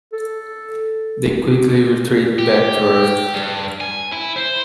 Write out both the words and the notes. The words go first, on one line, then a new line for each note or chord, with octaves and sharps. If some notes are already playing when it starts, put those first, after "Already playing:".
They quickly retreat back to Earth.
A4
G4
G2
G#5
E4
C5